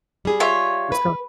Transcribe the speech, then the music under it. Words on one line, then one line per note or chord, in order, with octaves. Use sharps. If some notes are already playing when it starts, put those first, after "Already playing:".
it's got
G3 G#4
F4 C#5 E5
B4